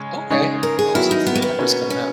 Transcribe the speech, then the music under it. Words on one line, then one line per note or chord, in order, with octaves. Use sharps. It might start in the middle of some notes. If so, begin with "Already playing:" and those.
Okay. Oh, Sep September's coming up.
Already playing: C#3 G#3 C#4
C#3 G#3 D#4 G#4 C#5
A#4
G#4
D#3 F#3 B3 E4 F#4 A#4
D#4
B3
A#3
B3
B2 A#3 C#4
C#4